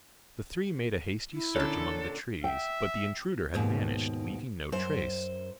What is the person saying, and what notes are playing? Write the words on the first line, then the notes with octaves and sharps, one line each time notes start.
The three made a hasty search among the trees, but the intruder had vanished, leaving no trace.
E4
A#2 D3 C#4 A4
E5 G5
D#2 G#2 B2
F#2 C5